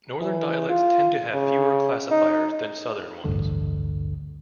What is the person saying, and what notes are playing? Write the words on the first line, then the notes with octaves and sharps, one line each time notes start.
Northern dialects tend to have fewer classifiers than southern ones.
E3
F4
C#3
D#4
A1 D2 G2 D3